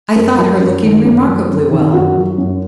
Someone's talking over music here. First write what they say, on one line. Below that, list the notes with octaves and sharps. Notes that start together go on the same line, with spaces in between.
'I thought her looking remarkably well.
F#2 A#4
F#3
F#2
D#3
F#2
F#3
F#2
D#3
F#2 F#4
F#3
F#2